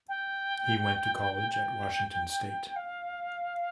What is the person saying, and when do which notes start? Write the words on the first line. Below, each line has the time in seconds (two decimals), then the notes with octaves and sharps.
He went to college at Washington State.
0.08 G5
1.52 G5
2.76 F5